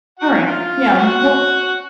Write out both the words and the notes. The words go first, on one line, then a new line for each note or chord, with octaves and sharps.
Alright. Yeah, wha
F#4 F#5
C#4 C#5
F4 F5
F#4 F#5